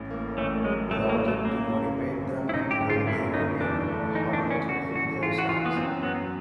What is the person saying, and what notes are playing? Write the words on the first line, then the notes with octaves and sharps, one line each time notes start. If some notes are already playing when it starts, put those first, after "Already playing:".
Without it to motivate them, will they remain huddled in their sacks?
Already playing: A1 A2
A#3
A1 A3
F#3 G#3
A2 A3
A#3
A2
A3
F#2 A#3
C#3
G1
F#2
E4
F#2 D#4
G4
G1
F4
F#2 E4
G1 D#4
E2 D4
A3
E3 D#4
D4
C#3
C#4
E3 F#4
E3 F#4
E3 F4
F#4
E3 F4
B3
F#2 C4
F#3 B3